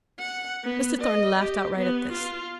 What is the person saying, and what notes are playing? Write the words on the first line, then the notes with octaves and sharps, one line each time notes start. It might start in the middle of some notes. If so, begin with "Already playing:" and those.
Mr. Thornton laughed outright at this.
F#5
B3
D#5
G4
B3
F4